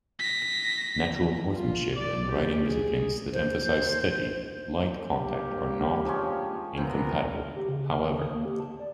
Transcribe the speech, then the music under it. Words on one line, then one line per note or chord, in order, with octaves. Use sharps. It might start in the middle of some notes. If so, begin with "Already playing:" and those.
Natural horsemanship and riding disciplines that emphasize steady, light contact are not incompatible, however.
A#6 B6
F4
D5
G4
G#4
C5
G2 A#3 G4
F3 G#3 C#4
C3 A#3 B3 A#4
G4
C#3
F6
D3
D#6
A#3
G4
A5
D5